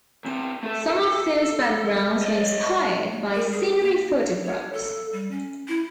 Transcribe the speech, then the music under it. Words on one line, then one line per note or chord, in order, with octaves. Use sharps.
Some of those backgrounds were inspired by scenery photographs.
D2 C4
A3 A4
A4
D5 D#5
A#3
A#4
G#4
A#3
C#5
A4
G3
C#4
E4